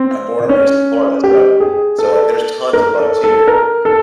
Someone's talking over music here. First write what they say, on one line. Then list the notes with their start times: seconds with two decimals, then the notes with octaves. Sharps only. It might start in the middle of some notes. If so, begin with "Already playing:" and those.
I'm born and raised in Florida, so so, like, there's tons of bugs here,
Already playing: C4
0.49 C#4
1.24 G4
1.60 G#4
1.99 A4
2.73 A#4
2.99 A4
3.24 A4
3.48 A#4
3.85 A4